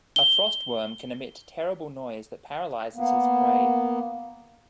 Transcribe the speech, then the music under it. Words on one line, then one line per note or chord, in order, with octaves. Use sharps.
A frost worm can emit terrible noise that paralyzes his prey.
G7
A#3 B3